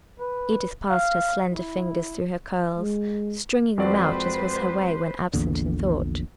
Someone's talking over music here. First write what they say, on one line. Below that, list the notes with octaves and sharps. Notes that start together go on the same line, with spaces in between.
Edith passed her slender fingers through her curls, stringing them out as was her way when absent in thought.
B4
F5
E4
G#3
F2 G#3 C4 F#4 B4 C5 D5
A#1 E2 A#2 D3